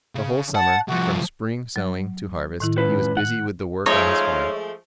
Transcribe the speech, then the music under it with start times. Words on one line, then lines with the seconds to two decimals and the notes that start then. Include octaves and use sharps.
The whole summer, from spring sowing to harvest, he was busy with the work on his farm.
0.15 C#3
0.55 F#5 A5
0.88 C2 F3 F#4
1.76 F#3
2.60 A2 D#3 E4
2.78 C#2 B4
3.17 F#5
3.86 F3 G#3 A3 D#4 F4 C#5